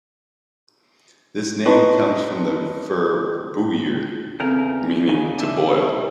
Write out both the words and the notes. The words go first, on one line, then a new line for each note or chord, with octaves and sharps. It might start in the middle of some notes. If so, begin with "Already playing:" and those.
This name comes from the verb "bouillir", meaning "to boil".
D#4 B4 D#5 A5 C6 C#6
E2 C#3 C4 C#4 A4 A#4
D#2 C#3 G#5
D4 E5